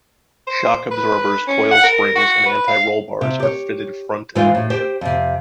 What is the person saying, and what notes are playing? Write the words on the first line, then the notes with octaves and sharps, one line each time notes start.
Shock absorbers, coil springs, and anti-roll bars are fitted front and rear.
C5
B4
C#4
F#5
A#4
F#4
B4
F5
C3
G4 C#5
G#2 E3 G#3 D#4 F4 C5
A2
G4 C5 G5
F2 C3